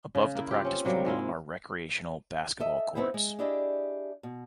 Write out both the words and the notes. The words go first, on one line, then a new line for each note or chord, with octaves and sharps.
Above the Practice Pool are recreational basketball courts.
C#3
A#3 E4
F4 G4
C4 C#4
C3 F#3 G3 A#3
G#2 G#3 E4 F4
A4 D#5 E5
B3 C4 D#4 E4
G#3
D4 E4 G4 G#4 D5 D#5
B2